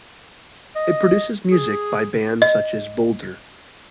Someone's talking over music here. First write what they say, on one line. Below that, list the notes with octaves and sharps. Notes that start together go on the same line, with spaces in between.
It produces music by bands such as Boulder.
D#5
G#4
D#5